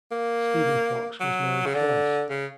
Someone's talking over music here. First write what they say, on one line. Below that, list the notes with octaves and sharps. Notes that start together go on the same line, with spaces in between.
Stephen Fox was married twice.
A#3
F#3
C#3
D3
C#3